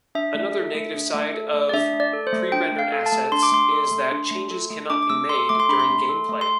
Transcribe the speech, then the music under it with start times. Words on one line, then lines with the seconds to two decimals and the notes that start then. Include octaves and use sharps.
Another negative side of pre-rendered assets is that changes cannot be made during gameplay.
0.15 D4 E5
0.35 A3
0.55 A4
0.75 A3
0.94 D4
1.14 A3
1.34 A4
1.54 A3
1.69 D5
1.73 D4 E5
1.93 A3
2.00 D5
2.13 A4
2.27 C5
2.33 A3
2.52 D4 G5
2.72 A3
2.79 F5
2.92 A4
3.06 A5
3.12 A3
3.32 D4 C6
3.43 D6
3.52 A3 C6
3.71 A4
3.91 A3
4.11 D4
4.31 A3
4.51 A4
4.70 A3
4.90 D4 D6
5.03 D6
5.10 A3 E6
5.29 A4 C6
5.49 A3 D6
5.60 C6
5.69 D4 B5
5.80 C6
5.89 A3
6.09 A4
6.29 A3
6.41 C6